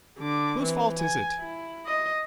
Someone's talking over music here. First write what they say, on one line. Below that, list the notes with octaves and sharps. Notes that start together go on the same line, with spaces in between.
Whose fault is it?
D3 D6
E3 C4
G#5
E4
D#5